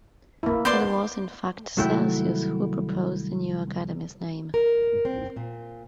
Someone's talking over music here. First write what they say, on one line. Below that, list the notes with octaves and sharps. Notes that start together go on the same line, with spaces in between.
It was in fact Celsius who proposed the new academy's name.
A#3 E4
B3 C5 D5 C6
C2 D#3 F#3 A3 E4 G5
A#4
C4
A#2